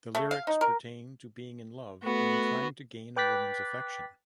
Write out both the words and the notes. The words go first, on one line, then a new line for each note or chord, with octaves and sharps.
The lyrics pertain to being in love and trying to gain a woman's affection.
A3
F5
D#4
A#4
A3 B3 F#4
B4 G5 D6 F#6 A6 B6